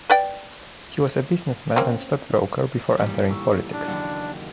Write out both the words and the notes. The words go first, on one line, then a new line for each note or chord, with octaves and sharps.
He was a businessman and stockbroker before entering politics.
B4 D5 G5
A#3 C4 C#4
A1 A#2 D#3 G3
C#6 E6
D4
F#1 D#2 F#5